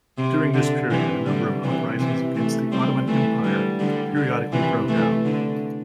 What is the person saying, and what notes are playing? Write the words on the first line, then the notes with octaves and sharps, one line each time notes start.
During this period a number of uprisings against the Ottoman Empire periodically broke out.
C3
D3
C3 E3
D3 G3
C3 E3
C3 E3
E3 A3
G3 C4
E3 A3
D3 G3
D3 G3
D3
C3 E3
E3 A3
D3